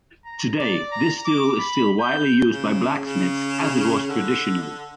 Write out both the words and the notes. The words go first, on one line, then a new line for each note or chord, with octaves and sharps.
Today, this tool is still widely used by blacksmiths as it was traditionally.
A#5
D5
A#5
D6
B5
G6
C#3
C#3
D3